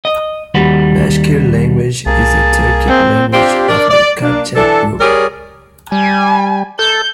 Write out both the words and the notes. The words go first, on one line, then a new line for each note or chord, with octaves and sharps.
Bashkir language is a Turkic language of the Kypchak group.
D#5
D#2 G3 F#4 B4
C2 A#3 G#4 A5
C4
C4 D4 F4 G4
D4 A#4 D5
D5
A#3 D4
E3 D4 A4
G3 G#4 A#4 C#5 D5
G3 G#5
A4 G6